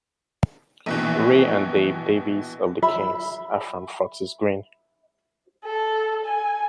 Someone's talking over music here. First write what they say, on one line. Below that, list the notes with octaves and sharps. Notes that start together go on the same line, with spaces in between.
Ray and Dave Davies of the Kinks are from Fortis Green.
A#1 B2 E3
E5 B5
A4
G#5